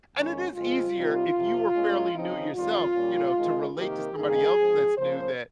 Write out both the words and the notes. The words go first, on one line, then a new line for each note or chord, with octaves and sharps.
and it is easier if you are fairly new yourself, you know, to relate to somebody else that's new that
F2 D#3 G#3 C#4
F2 C#3 G#3 C4 F4
C3 G3 C4 D#4
F2 C3 F3
A#2 G#3 C#4
C#3 F3 C4 D#4
F2 D#3 G3 F4
A#2 G3 C#4
C3 D#3 G#3 D#4
C3 D#3 A#3 G4
G2 D#3 A#3 D#4 G#4
G#2 F3 C4
C#3 F3 A#3 C5